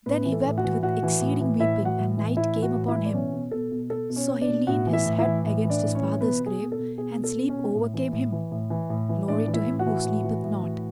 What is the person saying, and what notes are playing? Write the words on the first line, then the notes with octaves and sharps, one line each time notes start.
Then he wept with exceeding weeping and night came upon him; so he leant his head against his father's grave and sleep overcame him: Glory to him who sleepeth not!
A2 B3 B4
E3
A4
A2
F#4 F#5
E3
A2 F#4 F#5
E3
A2
E3
A2 E4 E5
E3
F#4 F#5
A2
E3
A2 E4 E5
E3
F#4 F#5
A2
E4 E5
E3
D5
B2 C#4 C#5
B2
B2 A4
B2
B2 A4
B2
C#4 C#5
B2
D4 D5
B2
A2 F#4 F#5
E3
E4 E5
A2
E4 E5
E3
A2
E3
D4 D5
A2
C#4 C#5
E3
B2 B3 B4
B2
G#4
B2
A4
B2
B2 G#4
B2
A4
B2
C#4 C#5
B2
A2
E3
A2
E3
A2
E3
A2
E3
A2 D4 D5
E3
E4 E5
A2
F#4 F#5
E3
A2
E3
A2
E3